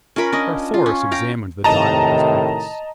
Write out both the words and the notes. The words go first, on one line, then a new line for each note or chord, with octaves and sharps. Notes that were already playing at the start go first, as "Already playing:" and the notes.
Carthoris examined the dial of his compass.
C#4 F4 A#4 B5
C#4 D4 D#5
F4
C#4
F5 G5 A#5
A2 C3 D#3 D#5 A5 A#5